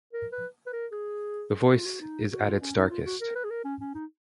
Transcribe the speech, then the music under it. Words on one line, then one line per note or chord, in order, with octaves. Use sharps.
The voice is at its darkest.
A#4
B4
B4
A#4
G#4
F#4
F4
F#4
D#4
F#4
F4
C#4
D#4
F4
F#4
A#4
B4
G#4
A#4
C#4
C#4
D#4